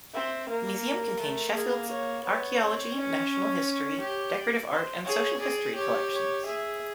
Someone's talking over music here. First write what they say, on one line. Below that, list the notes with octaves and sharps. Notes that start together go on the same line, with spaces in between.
The museum contained Sheffield's archaeology, natural history, decorative art and social history collections.
C4 E5
A#3 A#4
A3
A#3 G#4
C#5
B3 C#5
C4
C#4
C#5
C#5
G4
D5
C5
G#4 C#5
G#4 D5
G4 C#5
C#5
G#4 E5